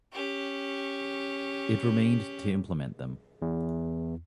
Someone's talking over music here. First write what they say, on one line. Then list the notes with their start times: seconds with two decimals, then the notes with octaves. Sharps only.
It remained to implement them.
0.13 C#4 G4
3.42 E2